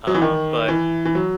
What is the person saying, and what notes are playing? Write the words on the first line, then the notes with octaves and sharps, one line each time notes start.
Uh, but
F#3
E3
D#3
E3
E3
F#3